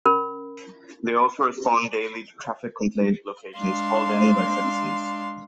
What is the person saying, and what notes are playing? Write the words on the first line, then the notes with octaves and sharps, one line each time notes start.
They also respond daily to traffic complaint locations called in by citizens.
C#4 A#4 B5
G#3 D4 F5 C6